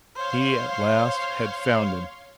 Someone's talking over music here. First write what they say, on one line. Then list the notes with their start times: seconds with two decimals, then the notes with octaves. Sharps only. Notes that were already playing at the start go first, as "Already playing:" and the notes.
He at last had found him.
0.16 C5 C#5 F5 C6